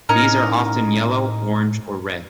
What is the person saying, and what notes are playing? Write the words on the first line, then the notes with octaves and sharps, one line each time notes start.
These are often yellow, orange or red.
A2 C#4 D#4 A#4